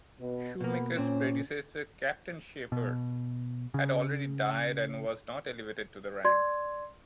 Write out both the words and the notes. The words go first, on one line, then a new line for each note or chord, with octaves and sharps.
Shoemaker's predecessor, Captain Shepard, had already died and was not elevated to the rank.
B2
B2 A#3 B3
A#2 C4 C#4
B2
C#3
D5 C6 G#6